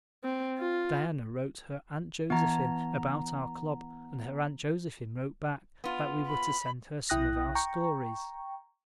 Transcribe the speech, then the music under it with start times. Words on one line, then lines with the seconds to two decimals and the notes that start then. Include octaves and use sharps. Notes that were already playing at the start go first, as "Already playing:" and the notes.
Diana wrote her Aunt Josephine about our club and her Aunt Josephine wrote back that we were to send her some of our stories.
0.24 C4
0.58 F4
2.30 E3 B3 A5 A#5 G#6
5.84 B3 F4
6.27 B5
7.09 B1 E4 G5 D#6 F#6 A#6
7.55 G5 A#5 C#6